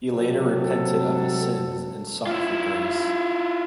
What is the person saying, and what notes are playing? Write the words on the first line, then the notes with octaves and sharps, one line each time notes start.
He later repented of his sins and sought for grace.
C3 F#3 C4 A4
E4 F4